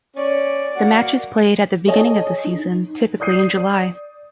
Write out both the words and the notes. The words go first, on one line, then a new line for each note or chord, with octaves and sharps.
The match is played at the beginning of the season, typically in July.
C#4 D5
A#3 F#4
G#4 A4 C#5 D#5 G#5 A5
D#4
D5 D#6 G6 C7 D#7